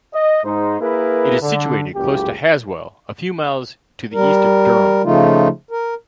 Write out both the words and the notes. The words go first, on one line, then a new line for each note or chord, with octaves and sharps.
It is situated close to Haswell, a few miles to the east of Durham.
D#5
G#2 D#4 C5
A#3 E4 G#4 A#4 B4
D3
F#1 C#2 G4
G3 A#4
C#3 F3 A3 D#4 F4
A#4